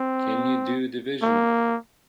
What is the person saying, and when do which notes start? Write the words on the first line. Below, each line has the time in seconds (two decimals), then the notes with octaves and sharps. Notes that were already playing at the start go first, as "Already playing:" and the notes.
Can you do division?
Already playing: C4
1.22 A#3